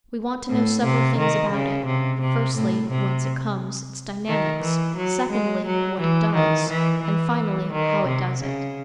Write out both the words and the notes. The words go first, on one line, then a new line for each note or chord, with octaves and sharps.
We want to know several things about it; firstly, whence it comes, its dynamics; secondly, what it does; and finally, how it does it.
A2
C3
D#3
C#3
C3
C3
A2
C3
D#3
E3
F#3
G#3
F#3
E3
D#3
E3
E3
D#3
C3
C#3